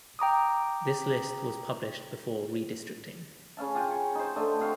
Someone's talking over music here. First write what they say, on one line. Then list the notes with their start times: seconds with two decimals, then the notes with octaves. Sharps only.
This list was published before redistricting.
0.19 G5 A#5 D6 D#6
3.57 C#3 C#4 F5 A5
3.75 F4 G4 F#5 G#5
3.91 C#6
4.15 D#4 C5
4.36 D3 A3 D#5
4.60 C3 F#4 F5